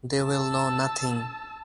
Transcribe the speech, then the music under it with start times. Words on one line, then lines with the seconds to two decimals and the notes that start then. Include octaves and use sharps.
They will know nothing.
0.20 A5 E6